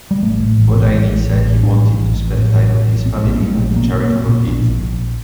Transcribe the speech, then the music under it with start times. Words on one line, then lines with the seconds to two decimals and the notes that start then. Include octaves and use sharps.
Bodine said he wanted to spend time with his family and do charitable deeds.
0.11 G3
0.23 A1 A3
0.40 A2
0.58 A1
0.75 A1
0.93 A1
1.11 A1
1.28 A1
1.46 A1
1.63 A2 D4
1.82 A1
1.99 A1
2.17 A1
2.34 A2
2.52 A1
2.69 A2
2.87 A1
3.05 A#1 C4
3.23 A#1
3.29 A#3
3.40 A#2 G3
3.53 A3
3.59 A#1
3.76 A#2 A#3
3.88 A#2 C4
4.00 A#3
4.11 A#2
4.29 A#2
4.46 A#1 D4
4.64 A#1
4.81 A#1